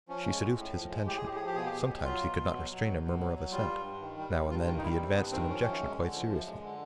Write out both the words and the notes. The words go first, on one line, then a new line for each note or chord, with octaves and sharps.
She seduced his attention; sometimes he could not restrain a murmur of assent; now and then he advanced an objection quite seriously.
F3 C#4
G#3
A2
A2
F3
G#3
A2 G4
G#4
A2 G4
F3 G#4
G4
B2 G#4
G4
B2
F#3
F#3 F4
B2
B2
F#3
F#3
B2
B2
F#3
F#3
G3 F4
G2
G2
D#3
G3
G2
G2 F4
D#3 F4
D#4
G3 E4
G2 C4
G2 B3
D#3 C4
F3 C#4
F#2
G#3
D3
F3
F#2
G#3
D3